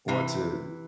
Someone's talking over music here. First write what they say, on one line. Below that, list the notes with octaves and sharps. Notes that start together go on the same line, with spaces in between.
want to
C3 E3